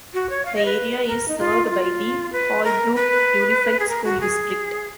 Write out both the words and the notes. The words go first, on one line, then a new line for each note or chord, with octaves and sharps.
The area is served by the Holbrook Unified School District.
F#4
C#5
F5
D#5
B4
A#4
D#4
F4
D#4
F4
B4
A#4
B4
G#4
A#4
F#4
G#4